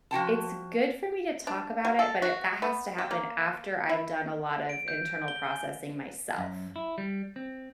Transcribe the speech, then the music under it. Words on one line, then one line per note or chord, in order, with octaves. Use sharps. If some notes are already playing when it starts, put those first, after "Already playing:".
it's good for me to talk about it, but it that has to happen after I've done a lot of internal processing myself.
F3 F#4 G5 A5
D4
F#3
A4
F#4
B3
G4
A#3
E4
D7
G6
G7
G#5
F#2
E4
G3
C4